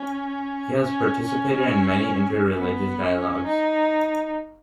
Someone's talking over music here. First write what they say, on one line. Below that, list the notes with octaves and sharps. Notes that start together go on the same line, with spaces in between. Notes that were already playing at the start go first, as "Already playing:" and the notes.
He has participated in many inter-religious dialogues.
Already playing: C#4
C#4
C#4
B3
C#4
D#4